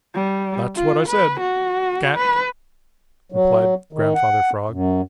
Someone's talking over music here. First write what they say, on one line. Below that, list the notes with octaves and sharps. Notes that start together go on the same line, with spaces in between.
"That's what I said--can't," replied Grandfather Frog.
G3
F4
B4
F#4
B4
F#3
D#3
F#5
F#2